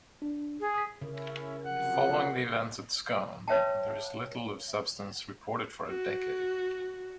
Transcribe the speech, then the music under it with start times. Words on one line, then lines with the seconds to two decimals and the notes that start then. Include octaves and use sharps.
Following the events at Scone, there is little of substance reported for a decade.
0.22 D4
0.60 G#4
0.74 D#6 B6
1.02 C#3 C#4 E4 A#4
1.65 C3 F3 F#3 F#5
3.48 B4 C#5 E5 G5 A5
5.88 F#4